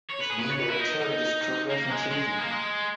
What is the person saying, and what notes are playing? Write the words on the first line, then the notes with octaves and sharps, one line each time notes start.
Zuniga redshirted his true freshman season.
C#5
B4
G#4
B4
C#5
B4
E4
D#4
A#3
G#3
G#3
A#3
G#3